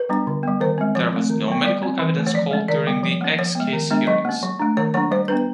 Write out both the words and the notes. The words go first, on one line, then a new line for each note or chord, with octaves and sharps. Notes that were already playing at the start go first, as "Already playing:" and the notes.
There was no medical evidence called during the X case hearings.
Already playing: B4
G3 B3 D4
D3
G3 B3
D#3 C5
G#3 C4
F3 C#5
A3 C4
D#3
F#3 B3
G3 D5
C4
E3
A3 C#4
C#5
F3 D5
G#3 C#4
D#3 D5
G3 B3
F3
A#3 C#4
F3 C#5
G#3 B3
D#3
G#3 B3 D4
F#3 D#5
A#3 C#4
F#3
A3 D4
D#3 C#5
F#3 A#3 D4 C#5
G3 C5
B3 D4 B4